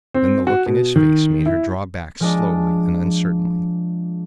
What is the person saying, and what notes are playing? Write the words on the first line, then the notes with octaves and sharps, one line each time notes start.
Then the look in his face made her draw back, slowly and uncertainly.
C4
F#4
B2
D#3
E4
F3 G#3 D4